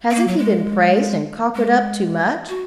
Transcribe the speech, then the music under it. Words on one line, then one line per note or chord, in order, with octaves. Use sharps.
Hasn't he been praised and cockered up too much?
C4
A#3
F#3
G#3
G#3
F#4